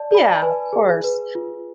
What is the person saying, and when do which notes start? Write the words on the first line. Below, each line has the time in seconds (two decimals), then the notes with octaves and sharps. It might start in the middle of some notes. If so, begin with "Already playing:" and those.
Yeah, of course.
Already playing: D5 A5
0.11 D5 B5
0.29 A5
0.42 B4 G#5
0.73 G#4
1.04 B4
1.35 F4